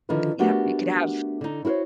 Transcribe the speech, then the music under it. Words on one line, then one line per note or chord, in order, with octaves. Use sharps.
yep, you could have
D3 D#3 F3 E4 F4 B4
A3 B3 D4 F#4 G4 A#4
D3 D#4
E4 F#4 A#4 C5 C#5